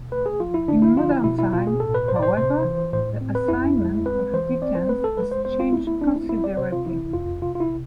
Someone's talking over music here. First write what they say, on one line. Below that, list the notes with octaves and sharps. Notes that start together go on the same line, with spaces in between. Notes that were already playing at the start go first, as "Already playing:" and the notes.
In modern times, however, the assignment of decans has changed considerably.
Already playing: B2
A3 B4
G#4
F3 F4
E4
D3 D4
E4
F3 F4
E4
B2 E4
E4
B2 F4
G#4
A2 A4
B4
A2 C5
D5
C5
C3 C5
E3
A2 C5
C4
B4
F2 E4
G#3
C4 B4
E3 C5
C4 D5
C5
A3 B4
A4
G#3 B4
C5
B3 C5
F4
A3 E4
E4
C4 D4
E4
C4 E4
D5
C3 C5
F4
E3 E4
F2 F4
C3 F4
F4
E4
C3